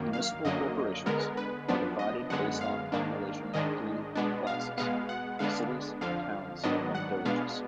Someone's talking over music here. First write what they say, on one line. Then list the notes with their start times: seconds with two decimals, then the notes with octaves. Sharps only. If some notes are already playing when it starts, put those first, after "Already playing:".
Municipal corporations are divided based on population into three classes: cities, towns, and villages.
Already playing: F#2 D#3 A#3
0.13 F5
0.45 F#2 D3 F#3 A#3 D#5
1.06 D3 G#3 B3 A#4
1.37 B4
1.68 F#2 F3 B3 D4
1.99 D#5
2.30 F#2 D3 G#3 B3 F#5
2.61 F5
2.92 G#2 D#3 A#3 D4
3.54 G#2 D#3 G#3 D4 D#5
4.15 B2 G#3 B3 D4
4.47 F5
4.78 B2 G#3 B3 F5
5.09 F#5
5.39 D3 G#3 B3 D4 F5
6.01 F2 D3 F3 F5
6.63 G#2 D#3 F#3 B3 D4 D#5
6.95 F#5
7.25 B2 G#3 B3 D4 F5